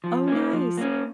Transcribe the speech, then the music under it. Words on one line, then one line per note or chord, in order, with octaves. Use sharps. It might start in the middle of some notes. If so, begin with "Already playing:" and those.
Oh, nice.
F3
A#3 C#4
F3
A#3 C#4